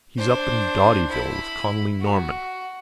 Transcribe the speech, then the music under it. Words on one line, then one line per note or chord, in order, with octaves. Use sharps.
He's up in Dottyville with Connolly Norman.
D4 C5
E4 B5
F#4